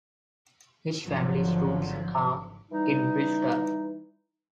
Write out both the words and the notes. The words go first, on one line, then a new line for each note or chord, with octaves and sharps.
His family's roots are in Bristol.
G#1 D3 F3 F#3
E3 G3 D#4